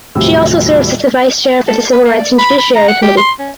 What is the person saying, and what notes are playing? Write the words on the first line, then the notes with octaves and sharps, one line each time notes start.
She also serves as the Vice Chair for the Civil Rights and Judiciary Committee.
D#1 A2 C3 F3 F#3 E6
A4
B4
A#3
D5
B5
B5
A#5
F#5
G4
C6
C#4